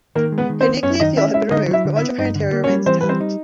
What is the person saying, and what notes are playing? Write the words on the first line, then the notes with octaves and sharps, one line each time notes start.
Her nuclear fuel has been removed but much of her interior remains intact.
D#3 A#3 A#4
G#3
B3 B4
D#3
C4 C5
B3
F#2 C#4 C#5
D#3 D#4 D#5
C#4 E4 E5
G#3 E4 E5
D3 D#4 D#5
F#3
E4 E5
D3
E4 E5
B3
G2 D#4 D#5
D3
A#3
C#4 C#5
G3
E3 C4 C5
G3 B4
C4 C5
D#4